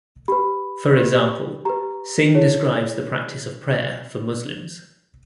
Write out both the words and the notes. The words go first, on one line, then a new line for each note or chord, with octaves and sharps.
For example, Singh describes the practice of prayer for Muslims.
G4 B4 B5
G4 B4
G4 B4 A#5
E4 G#4 C#5